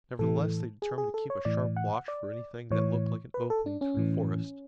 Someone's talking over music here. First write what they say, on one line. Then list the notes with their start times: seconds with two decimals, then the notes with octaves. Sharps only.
Nevertheless they determined to keep a sharp watch for anything that looked like an opening through the forest.
0.19 A2 E3 A4
0.82 G#4
0.98 G#4
1.14 A4
1.30 C#5
1.45 A2 E3 D5
1.76 F#5
2.08 D5
2.71 A2 E3 C#5
3.34 B4
3.50 A4
3.66 D4
3.81 C#4
3.97 A2 E3